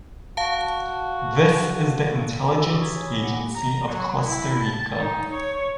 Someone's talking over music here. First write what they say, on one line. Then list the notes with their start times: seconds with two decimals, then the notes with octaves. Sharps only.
This is the intelligence agency of Costa Rica.
0.37 F#4 F5 A5
2.51 F#4 G4 B4 E6
2.69 A#5 C#6 D#6
2.81 D6 G#6 A6 B6
2.95 D#4 G#4 C#5 G#5 D#6 E6
3.08 B5
3.23 G4 F#5 A#6 C#7
3.55 A#5
3.87 F#3
4.26 E4
4.62 A5
4.98 D#4
5.32 C#5